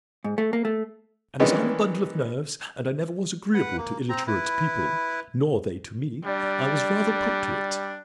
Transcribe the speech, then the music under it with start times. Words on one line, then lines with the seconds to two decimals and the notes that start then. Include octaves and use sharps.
And as I'm a bundle of nerves, and I never was agreeable to illiterate people, nor they to me, I was rather put to it.
0.24 G#2
0.38 A3
0.53 A#3
0.65 A3
1.40 D#3 E3 G#3 B3 C#4 D4
3.54 B4 F#5
3.77 A#3
4.09 C4 A#5
4.27 E4 B4
6.25 G3 D4